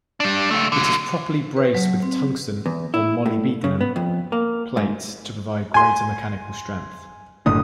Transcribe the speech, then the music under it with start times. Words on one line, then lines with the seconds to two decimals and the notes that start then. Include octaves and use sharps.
It is properly braced with tungsten or molybdenum plates to provide greater mechanical strength.
0.20 G3 D4
0.51 C#2 A3
0.72 D3 F#3
1.57 B4
1.75 F#3
2.03 C4
2.66 E2
2.94 E4
3.26 A2
3.64 C#3
3.81 B3
3.96 F2
4.32 A#3
4.77 G#2
5.74 G#5 C6
7.46 F#1 A2 D3 D#6